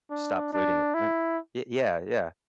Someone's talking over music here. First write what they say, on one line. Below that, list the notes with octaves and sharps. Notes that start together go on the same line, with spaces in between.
stop polluting the planet it Yeah, yeah.
D4
D4
E4